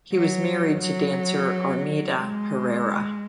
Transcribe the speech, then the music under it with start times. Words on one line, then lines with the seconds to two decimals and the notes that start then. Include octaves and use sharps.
He was married to dancer Armida Herrera.
0.12 F#3
0.80 F#3
2.16 G#3